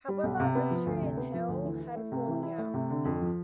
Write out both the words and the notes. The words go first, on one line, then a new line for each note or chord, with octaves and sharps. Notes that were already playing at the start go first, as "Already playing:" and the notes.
However, Ritchey and Hale had a falling out.
G3
B1
C3
B3
F3
D2
C3
B3
F3
D2
E3
E4
A3
C3
E3
E4
A3
C3
D3
F2
F3